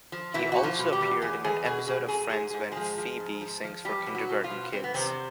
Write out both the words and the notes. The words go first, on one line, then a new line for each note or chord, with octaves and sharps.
He also appeared in an episode of Friends when Phoebe sings for kindergarten kids.
F3
B2 E3 E4
E2 F#4
F3 F4
B2
G3 G4
E2
E2 G#4
E2 G#4
B2 G#4
B2 G#4
G#2 G#4
G#2 G#4
G#2 G#4
F3 G#3 G#4
F3
G#2
F3
F3
E2 G3 G4
B2
F#3 F#4
B2
F3 F4
B2
B2 C4
B3
E2 C3 C4